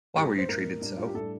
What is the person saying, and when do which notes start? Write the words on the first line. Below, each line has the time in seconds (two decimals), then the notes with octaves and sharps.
Why were you treated so?
0.16 A2 G3 D4 G4
0.38 C5
0.48 A2 G3 D4 A#4
0.81 A2 G3 D4
0.97 F4
1.06 G4
1.14 A2 G3 D4 A4